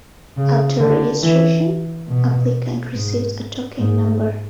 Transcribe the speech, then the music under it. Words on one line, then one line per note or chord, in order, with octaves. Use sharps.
After registration, applicant receives a token number.
C#3
D3
E3
B2
G#2
G#2